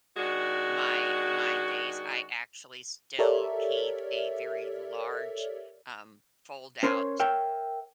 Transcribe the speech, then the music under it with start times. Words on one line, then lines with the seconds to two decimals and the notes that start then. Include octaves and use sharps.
my my days, I actually still keep a very large, um, fold-out
0.17 D#3 G#3 D4 F#4
3.19 G4 A4 A#4 C#5 D5 E5
6.83 C#4 A#4 C5 C#5 C6
7.20 A#4 C#5 E5 G5